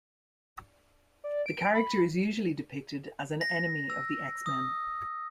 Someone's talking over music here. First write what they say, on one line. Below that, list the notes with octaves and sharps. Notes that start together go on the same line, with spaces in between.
The character is usually depicted as an enemy of the X-Men.
D5
D7
B5
A#6
E6
D#6